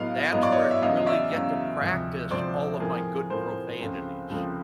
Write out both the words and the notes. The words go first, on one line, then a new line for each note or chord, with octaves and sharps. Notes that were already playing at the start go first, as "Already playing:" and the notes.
that's where I really get to practice all of my good profanities
Already playing: A2 F#3 B3 D#5 F5
A2 F#3 B3 D#5
D5
C#5 D#5
E5
E2 C#3 F#3 D#5 F5
D#5
D5 E5
E2 C#3 F#3
D2 C3 F3
D2 C3 F3 C5 D5
A2 F3 A3 C4 G#4 A#4
A2 F3 A3 C4 A#4 C5
C#2 C#3 F3 A3 C4
C#2 C#3 F3 A3 C4